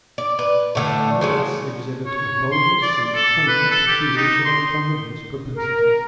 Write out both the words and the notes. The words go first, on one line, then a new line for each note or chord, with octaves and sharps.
Habits exhibit a boldness and cunning peculiar to their carnivorous propensities.
D5
B4
A2 D3 A3
C#3 F3 F#3
C#5
C6
D5
A4
B4
A4
G4
D#4
C6
A#4